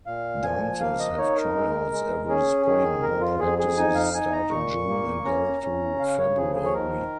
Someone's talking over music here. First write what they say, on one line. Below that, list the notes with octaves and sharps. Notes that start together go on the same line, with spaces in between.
Dancers have tryouts every spring; practices start in June and go through February.
A#2 F5
F3 G#5
A#3 F5
D#5
D#4 C#5
A#4
G#3
G#3
C#4 G#4
D#3 G#4
F2 A#4
F4
F2 G#4
G#4
D#4 G#5
F5
D#4 G#5
A#5
A#2 C#6
A#3
C#4 A#5
C#4
C#3 F5
C#5
F3 G#4
G#4
C#5
D#3 A#4